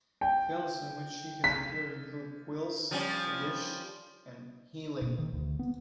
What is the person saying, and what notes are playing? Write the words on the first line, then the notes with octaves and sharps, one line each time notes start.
Films in which she has appeared include "Quills", "The Dish" and "Healing".
G5
B6
F3 G3 C#4
B2
D#3
D2
B3